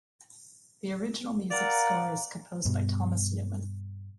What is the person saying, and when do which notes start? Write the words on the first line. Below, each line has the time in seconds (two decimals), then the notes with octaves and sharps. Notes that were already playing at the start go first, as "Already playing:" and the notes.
The original music score is composed by Thomas Newman.
1.50 A#4 D5 F5 F#5 A#5
2.65 G2 B2 G3